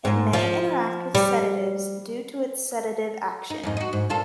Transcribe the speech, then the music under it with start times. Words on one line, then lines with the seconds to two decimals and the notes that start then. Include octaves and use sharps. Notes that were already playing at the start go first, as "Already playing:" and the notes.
It may interact with sedatives due to its sedative action.
0.05 G#2
0.33 F3
1.15 G3
3.50 D#4
3.63 F2 G#2 D#4
3.77 D#4 F#4
3.93 G#2
4.09 A#2 F4 A4